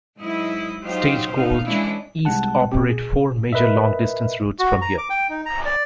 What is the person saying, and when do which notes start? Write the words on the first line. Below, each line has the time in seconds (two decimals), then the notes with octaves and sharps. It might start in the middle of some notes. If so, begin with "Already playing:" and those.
Stagecoach East operate four major long-distance routes from here.
0.19 G#2 F#3 E4 D#5
0.83 F#3 D#4 F4 G4 C5 F5
1.32 A#2 D3 B3 D#4 F5
1.66 E3 G#3 C#4 D4 E4
2.25 C2 G#3 F#5 A5
2.72 C3 C4 G4
2.89 G#4
3.53 A#4 B4 D#5 E5
4.59 F#4
4.81 A#5
4.98 D6
5.10 G5
5.29 D#4
5.46 A#5
5.65 D5